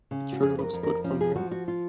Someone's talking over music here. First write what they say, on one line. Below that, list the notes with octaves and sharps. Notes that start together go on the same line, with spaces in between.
It sure looks good from here.
C#3
F#4
F2 G#4
B4
A#4
F2
A#4
F3 C#4
G#4
F3 F#4
F#4
F4